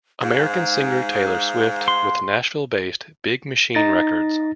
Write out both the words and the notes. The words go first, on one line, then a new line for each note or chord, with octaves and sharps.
American singer Taylor Swift with Nashville-based Big Machine Records.
G#2 F5
C6
D#4 A6 A#6